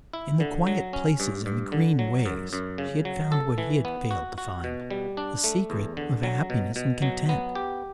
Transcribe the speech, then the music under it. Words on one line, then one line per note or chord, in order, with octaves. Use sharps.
In the quiet places and the green ways she had found what he had failed to find--the secret of happiness and content.
E4
D3
F#3
C#4
G2
G2
D3
F#3
F#2
F#2
C#3
F#3
A4
E3
B3
F#4
F#4
B2
G3
D4
A3
E2
D3
F#3
B2
B2
F#3
B3
G4